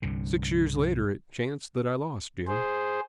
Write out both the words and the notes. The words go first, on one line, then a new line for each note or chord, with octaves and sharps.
Six years later it chanced that I lost Jim.
C2 G2 D3
G#4 C5